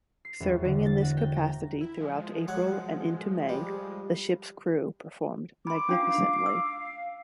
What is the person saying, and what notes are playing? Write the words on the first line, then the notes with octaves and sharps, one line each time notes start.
Serving in this capacity throughout April and into May, the ship's crew performed magnificently.
C7
E1
D3
A6
F#4
G5
A#5
E4
F3 G#3
F#3 C#5 F#5
G3
B5 C6 D6
C#4 D4 F4 F5
E6